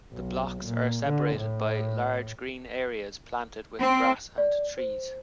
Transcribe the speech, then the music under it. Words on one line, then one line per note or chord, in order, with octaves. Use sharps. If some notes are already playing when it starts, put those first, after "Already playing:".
The blocks are separated by large green areas planted with grass and trees.
B1
A#2
D3
A2
C4
D5
C5